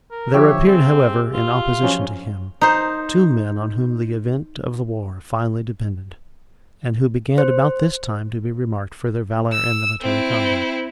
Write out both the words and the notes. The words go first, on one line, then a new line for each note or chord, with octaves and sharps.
There appeared, however, in opposition to him, two men on whom the event of the war finally depended, and who began about this time to be remarked for their valor and military conduct.
A#4
D3 F3 G4 C#5 E5
C4 G#4
F4
F3 F#3 C#4
D#4 C5
C5
E6
C4 E4